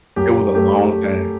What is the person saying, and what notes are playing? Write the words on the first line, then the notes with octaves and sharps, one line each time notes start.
It was a long time,
F#2 G4
A3 G4